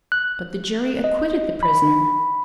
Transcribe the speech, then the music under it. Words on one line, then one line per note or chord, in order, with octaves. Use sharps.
But the jury acquitted the prisoner.
F#6
D#5
B5